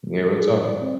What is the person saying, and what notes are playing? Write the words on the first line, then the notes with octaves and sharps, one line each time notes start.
Yeah, real talk.
A4
G#4
G3
D5
C4